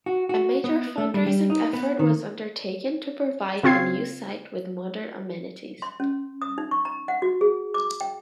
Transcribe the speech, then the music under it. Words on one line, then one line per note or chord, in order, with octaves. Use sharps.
A major fund-raising effort was undertaken to provide the new site with modern amenities.
F#4
F#4
B3
A3
G3
G3
D#4
B3
D#3
C#3 C4 F4 G#6 C7
C6
C#4
D#6
D#4
C#6
A#5
F#5
F#4
G#4
D6
G5